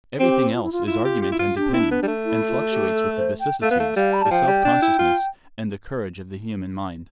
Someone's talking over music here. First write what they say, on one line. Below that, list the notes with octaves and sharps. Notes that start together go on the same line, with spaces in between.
Everything else is argument and opinion, and fluctuates with the vicissitudes, the self-consciousness, and the courage of the human mind.
C4 G4
F4
E4
F4
E4 F4
G4
G4
E4
F4
D4 G4
C4
E4
D4
B3
G3
A3
E4
F4
G4
A4
C5
G5
A3 F5
B3
A3
G3 F5
B5
G3 A5
F3 G5
G3
D4
E4
F4